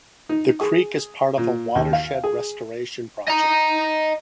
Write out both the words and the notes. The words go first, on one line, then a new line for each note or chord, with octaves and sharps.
The creek is part of a watershed restoration project.
D#4
G#4
A#2
D#2
F5
G#4
D#5 A#5